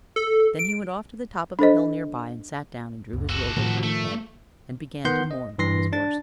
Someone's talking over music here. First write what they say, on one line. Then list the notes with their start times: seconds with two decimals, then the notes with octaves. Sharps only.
Then he went off to the top of a hill near by, and sat down and drew his robe over his head, and began to mourn for his horse.
0.16 A4
0.59 D7
1.59 D4 A4 C5 D#5
3.12 F#1 C#2
3.29 F#4 A4
3.57 A2 D#3 F3 F4
3.84 A3
5.05 D#3 B3 F#5 C6 G6
5.31 D#5
5.58 G2 E3 C6 A#6 C7
5.93 D4 A6